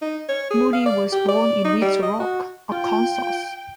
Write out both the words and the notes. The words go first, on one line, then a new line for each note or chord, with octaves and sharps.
Moody was born in Little Rock, Arkansas.
D#4
C#5
G#4
F5
D5
G4
D5
D#4
G3
D#5
F#4
F4 G5